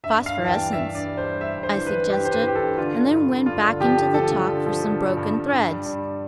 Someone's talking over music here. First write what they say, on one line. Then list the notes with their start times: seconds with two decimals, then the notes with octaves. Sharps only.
"Phosphorescence," I suggested, and then went back into the talk for some broken threads.
0.03 G2 E5
0.21 G2
0.26 F5
0.38 E3
0.45 A5
0.49 G5
0.55 G3
0.72 G2 E5
0.89 G2
0.95 D5
1.06 G3
1.17 C5
1.24 G3
1.40 G3 E5
1.57 G2
1.63 C5
1.75 E3
1.87 B4
1.92 E3
2.09 G2 G4
2.25 G2 C5
2.32 B4
2.43 E3 G4
2.55 A4
2.60 G2
2.78 D3 F4
2.95 D3
3.11 G2
3.29 G2
3.46 G2 F4
3.63 D3
3.80 F3 G4
3.97 D3
4.14 F3 A4
4.31 F3
4.49 D3
4.66 F3
4.83 D3
5.00 G2
5.17 G2
5.34 G2
5.52 G2
5.69 G3
5.86 G2